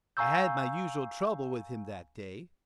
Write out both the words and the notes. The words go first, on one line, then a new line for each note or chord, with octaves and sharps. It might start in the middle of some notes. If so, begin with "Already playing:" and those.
I had my usual trouble with him that day.
F5 G#5 A#5 C#6 E6 G6